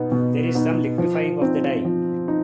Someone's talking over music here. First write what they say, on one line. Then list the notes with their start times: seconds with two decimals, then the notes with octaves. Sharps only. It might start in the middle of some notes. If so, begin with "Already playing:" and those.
There is some liquefying of the dye.
Already playing: B2 B3 D#4
0.12 B2
0.55 B3 D#4
0.98 F3
1.42 C4 D#4
1.85 F3
2.28 D#4